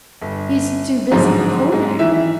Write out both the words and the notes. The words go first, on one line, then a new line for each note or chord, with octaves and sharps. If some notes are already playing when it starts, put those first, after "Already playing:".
"He's too busy, courting."
G1
A1 G#2 D3 F3 F#3 G#3
G#2 G#3
D#3 E3 E5